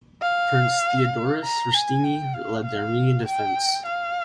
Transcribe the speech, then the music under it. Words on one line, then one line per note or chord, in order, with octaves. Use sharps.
Prince Theodoros Rshtuni led the Armenian defense.
F5
A#5
G#5
G5
F5
F5
G5
F5